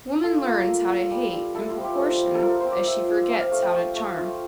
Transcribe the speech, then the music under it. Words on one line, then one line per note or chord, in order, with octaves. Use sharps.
Woman learns how to hate in proportion as she--forgets how to charm.
F4 A4
A#3
A#3
F4
G3
G3
E4 A4
F4
C4
G4
G3 A4
G3
A4
F4 A#4
C4 C5
D5
F4 E5
F3
C4 E5
F5
A3 F5
G5
A3
A3
F4